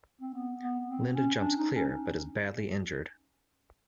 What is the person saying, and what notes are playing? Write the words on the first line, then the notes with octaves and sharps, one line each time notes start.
Linda jumps clear, but is badly injured.
C4
B3
B3
C4
C#4
D4
D#4
C#4